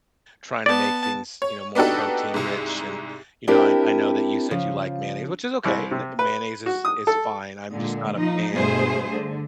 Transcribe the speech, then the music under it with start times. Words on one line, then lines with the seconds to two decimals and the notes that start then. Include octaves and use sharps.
trying to make things, you know, more protein-rich, and, you know and I know that you said you like mayonnaise, which is okay, n mayonnaise is is fine, I'm just not a fan
0.66 B3 D5 A5
1.42 C#5
1.75 B3 D4 D#4 F#4 G4 A4
2.34 C2 G#2
3.47 C4 D4 E4 G4 A#4
4.51 C#3 F3
5.65 C2
5.91 C3
6.19 B4
6.66 F#4
6.85 D#6
7.07 A4
7.69 A#2 D3 G#3
8.12 F3 D#4
8.54 G2 B2 A3 G#4 C5
9.09 D3